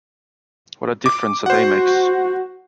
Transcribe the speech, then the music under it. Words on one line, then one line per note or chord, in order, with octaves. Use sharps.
What a Diff'rence a Day Makes!
D6
F#4 C5 F#5